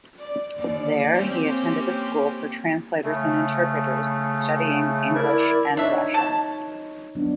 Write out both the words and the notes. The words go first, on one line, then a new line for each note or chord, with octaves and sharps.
There, he attended a school for translators and interpreters, studying English and Russian.
D5
D#2 D5
A#3 C4 C#4 G4
C#3 A3
E4 A#4 D5 G#6
D4 D#4 C#5 E5
A5
F#3 B3 D4